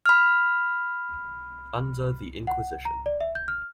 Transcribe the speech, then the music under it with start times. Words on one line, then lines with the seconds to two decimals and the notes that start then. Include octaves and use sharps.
Under the Inquisition.
0.06 B5 F6
2.47 F#5
2.85 A#5
3.06 D5
3.21 E5
3.35 G6
3.48 F6